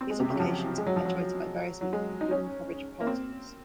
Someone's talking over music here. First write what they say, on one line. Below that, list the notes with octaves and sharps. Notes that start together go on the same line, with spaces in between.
These implications are perpetuated by various media, including the coverage of politics.
C4
G#3
C3
C#3
F#3
F3
G#3
F#3
F3
F#3
F#3
G#3
D#4
C#4
A#3
C4